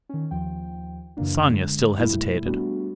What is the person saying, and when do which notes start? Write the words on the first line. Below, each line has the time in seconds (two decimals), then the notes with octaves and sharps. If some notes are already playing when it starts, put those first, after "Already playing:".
Sonia still hesitated.
0.09 D#3 C#4
0.31 D#2 F3 G5
1.17 F#2 C#3 E3 A#3 D4
1.48 D3 G#3
1.97 F2 B2 G3 A3 A#3 E4
2.45 G3 A3 B3 D4 F#4